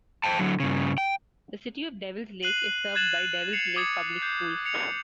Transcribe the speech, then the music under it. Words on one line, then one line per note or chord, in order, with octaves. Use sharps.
The city of Devils Lake is served by Devils Lake Public Schools.
C5 G5 A5
D3 F#3
G2 C#3
G5
F#6 C7 D#7 F#7
F#6 G#6 A6 E7 F#7
C7 C#7 F7
D6 D#6 G#6 A6 C#7
G6 C7
C#7 F7